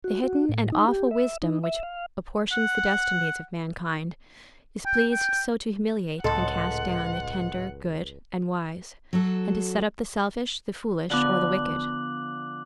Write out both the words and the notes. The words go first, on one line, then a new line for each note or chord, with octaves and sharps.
The hidden and awful Wisdom which apportions the destinies of mankind is pleased so to humiliate and cast down the tender, good, and wise, and to set up the selfish, the foolish, or the wicked.
F#4
F#4
A2
D#4
G4
E5
D#4
E5
F5
F#5
G5
G5
C#2 A2 A4 D#5 F#5 C6
F#3 F#4 A4
D3 F3 B3 D6 F#6 F#7